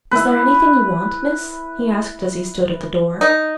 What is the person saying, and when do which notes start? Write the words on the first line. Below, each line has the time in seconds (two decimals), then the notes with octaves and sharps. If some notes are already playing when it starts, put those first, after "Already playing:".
"Is there anything you want, miss?" he asked as he stood at the door.
0.11 E4 B4
3.21 D#4